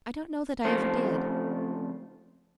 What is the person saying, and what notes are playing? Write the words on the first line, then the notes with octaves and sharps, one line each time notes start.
"I don't know that I ever did."
F2 C#3 A3 F4 C5